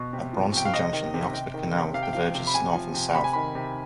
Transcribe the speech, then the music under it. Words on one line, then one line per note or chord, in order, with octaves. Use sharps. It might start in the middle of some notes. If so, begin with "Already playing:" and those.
At Braunston Junction, the Oxford Canal diverges north and south.
Already playing: B2
C3
F3
C3 G5
F5
C3 D#5
D#3
C3
C3 G5
D#3
C3
C3 F5
G5
F3 F5
C3
B5
C3 G#5
F3
C3
C3 B5
G#5
D#3 B5
C3